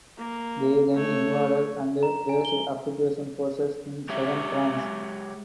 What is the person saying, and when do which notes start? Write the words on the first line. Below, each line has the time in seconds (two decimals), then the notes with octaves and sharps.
They then invaded and placed occupation forces in southern France.
0.18 A#3
0.94 A3 C#5
2.03 A#5
2.29 G#5
2.45 G7
4.09 G#3 G4 C#5 E5